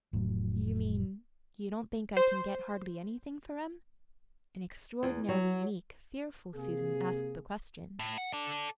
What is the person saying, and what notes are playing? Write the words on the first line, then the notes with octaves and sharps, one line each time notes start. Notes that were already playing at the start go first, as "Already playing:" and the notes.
"You mean--you don't think I can get hardly anything for 'em?" An extraordinarily meek, fearful Susan asked the question.
F1 A2 F#3
C5
E2
F#3
C3 A#3 G#4
A2
F#5
A4 D5